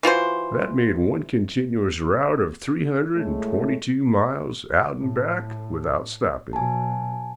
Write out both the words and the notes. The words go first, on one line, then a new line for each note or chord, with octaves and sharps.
That made one continuous route of three hundred and twenty-two miles out and back without stopping.
E3 F4 F#4 C5
A2 G#3 A3
A2
B2 F#3 G#5 A5